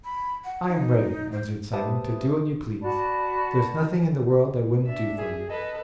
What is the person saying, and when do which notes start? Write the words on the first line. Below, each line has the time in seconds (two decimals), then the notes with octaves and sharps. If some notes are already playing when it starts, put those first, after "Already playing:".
'I am ready,' answered Simon, 'to do what you please; there's nothing in the world I wouldn't do for you.'
0.04 B5
0.44 F#5
0.68 D#4
1.32 C5
1.73 G4 B4 C5 E5 A5 D#6
2.81 F#4 D5 A5 B5
4.84 D4 E5
5.18 G#4
5.50 A4 B4 D#5